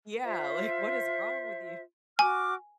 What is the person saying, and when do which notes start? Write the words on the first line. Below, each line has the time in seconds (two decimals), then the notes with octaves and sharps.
Yeah, like, "What is wrong with you?"
0.23 F4 C5 E5
2.19 F#4 G#5 D6 F6